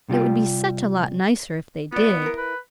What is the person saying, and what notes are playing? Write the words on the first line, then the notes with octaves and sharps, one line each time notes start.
It would be such a lot nicer if they did!
C3 G3 F4 G4
B3 F4 D5
E4 A#4
B4